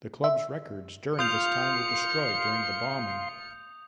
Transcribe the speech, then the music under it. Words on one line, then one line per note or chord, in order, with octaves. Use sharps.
The club's records during this time were destroyed during the bombing.
E5
F4 F5 C6 D#6 G6 C#7 F7